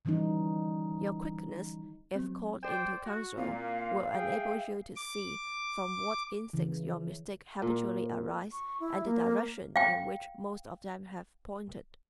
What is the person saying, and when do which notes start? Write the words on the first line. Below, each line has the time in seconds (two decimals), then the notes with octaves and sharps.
Your quickness, if called into counsel, will enable you to see from what instincts your mistakes habitually arise and the direction in which most of them have pointed.
0.05 D3 E3 G3 C#4 D#4
2.15 F#3 C4
2.63 C5 D5 G5 E7
3.05 F#4
3.38 A#2 C4 E4 F5
4.13 G#4 E5 G5
4.96 D6
6.53 C#3 E3
7.62 A#2
8.53 C#6
8.80 E4
9.05 A#3
9.76 F5 G5